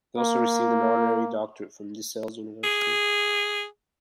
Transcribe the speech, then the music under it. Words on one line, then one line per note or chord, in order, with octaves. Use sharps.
He has also received an honorary doctorate from DeSales University.
A#3
G#4